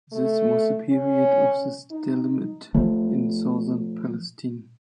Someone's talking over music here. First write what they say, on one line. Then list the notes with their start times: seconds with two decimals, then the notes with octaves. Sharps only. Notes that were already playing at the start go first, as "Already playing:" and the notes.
This was the period of the Stalemate in Southern Palestine.
0.13 A3
0.89 C#4
1.91 D#4
2.74 F3 A3